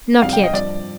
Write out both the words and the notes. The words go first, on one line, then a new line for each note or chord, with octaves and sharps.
"Not yet."
F2 C3 G3 F5
G5
D#5
G2 F3 D5